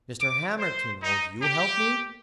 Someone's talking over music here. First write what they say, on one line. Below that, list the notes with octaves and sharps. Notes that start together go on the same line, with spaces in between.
"Mr. Hamerton, won't you help me?"
D6
C5
D#4
G4